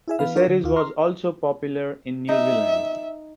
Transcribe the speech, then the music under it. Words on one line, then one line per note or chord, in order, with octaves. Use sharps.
The series was also popular in New Zealand.
E4 G#4 E5
E3 B3 B4 F5
D4 F4 A#4 C#5
D3
D#2 F4
A#5 C6 F6
D#4 E5